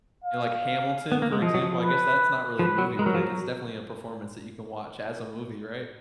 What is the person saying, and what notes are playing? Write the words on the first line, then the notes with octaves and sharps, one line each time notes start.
You like Hamilton, for example? I guess that's not really a movie, but it is definitely a performance that you can watch as a movie, right?
F5
B3
A#3
G#3
F3 D#5
F#3
F3
B4
F3 B4
F#3
G#3 A#4
F#3
F3
F#3